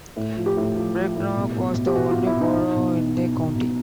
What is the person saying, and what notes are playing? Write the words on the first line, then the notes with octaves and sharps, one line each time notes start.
Brecknock was the only borough in the county.
A2
F3
G4
A2
F3
F3
A2
B2
B2
B2
G4
B2 F#4
F4
B2
E4
B2 D#4
B2
B2
B2
B2
B2
B2